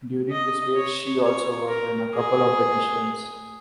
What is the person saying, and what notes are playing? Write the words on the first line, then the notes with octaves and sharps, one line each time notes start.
During this period, she also worked in a couple of British films.
D#5
C#5
C#5
A#4
G#4